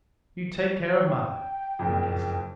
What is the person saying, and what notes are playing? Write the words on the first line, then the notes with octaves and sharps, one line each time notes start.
"You take care of Mother." I kissed her.
G5
F#1 F2